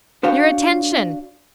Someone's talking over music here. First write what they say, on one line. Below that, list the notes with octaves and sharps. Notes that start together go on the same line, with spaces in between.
Your attention!
D4 F#4 C5 C#5 F5 G5